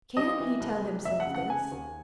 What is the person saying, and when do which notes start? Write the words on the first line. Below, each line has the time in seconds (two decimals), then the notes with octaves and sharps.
Can he tell himself this?
0.17 G3 D#5
0.40 E3
0.61 C2
0.83 G3
1.05 F1 E5
1.20 F#5
1.27 C#3
1.35 F#5
1.49 C#3 G#5
1.72 D#2